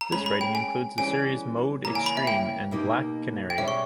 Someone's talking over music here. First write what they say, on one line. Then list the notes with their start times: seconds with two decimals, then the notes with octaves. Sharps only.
This writing includes the series "Mode Extreme" and "Black Canary".
0.01 A#5
0.12 G#3 C#4 G#4 B5
0.26 B5
0.41 G5
0.55 G#5
0.98 E3 G3 C#4 G#4 G#5
1.85 C#3 E3 G3 A#3 A#5
1.95 G#5
2.06 B5
2.17 E5
2.27 G5
2.71 B2 A#3 D#4 G4
3.50 G5
3.58 B2 G3 C#4 G#4 C#5 E5
3.68 C#6